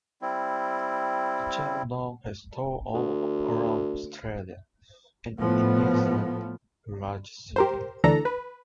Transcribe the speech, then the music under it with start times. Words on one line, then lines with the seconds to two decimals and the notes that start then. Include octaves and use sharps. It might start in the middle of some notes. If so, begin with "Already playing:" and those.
The chain now has stores all around Australia and in New Zealand's largest cities.
0.22 G3 C4 E4
2.94 D2
5.40 A2 F3 B3
7.56 G4 A#4 C5
8.04 D2 E3 D4 A4 A#5
8.25 B4